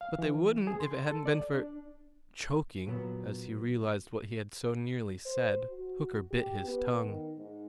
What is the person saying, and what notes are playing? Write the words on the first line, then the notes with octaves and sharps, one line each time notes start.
"But they wouldn't if it hadn't been for----" Choking, as he realized what he had so nearly said, Hooker bit his tongue.
F5
E3
G#4
C6
A4
D5
D4
A#2 F#3 B3
C5
F#4
G4
B3
D#3
G#2